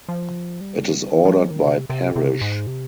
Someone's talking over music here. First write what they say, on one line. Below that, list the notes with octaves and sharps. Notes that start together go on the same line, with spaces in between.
It is ordered by parish.
F3
G3
F3
G3
F3
D#3
C3
C3
C3
G#2
C3